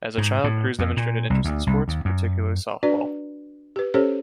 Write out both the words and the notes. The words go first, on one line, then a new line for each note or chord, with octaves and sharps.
As a child Cruz demonstrated interest in sports, particularly softball.
G#2
A2
F2
A#2
C2
D2
C2
D#2
F#2
D4 F#4 B4 D5
G4 B4
C#4 G4 A4 C5 C#5